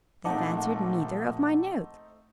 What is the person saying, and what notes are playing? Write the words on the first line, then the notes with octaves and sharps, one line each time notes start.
They have answered neither of my notes.
A#1 A3 C4 D#4 F#5 A5 D6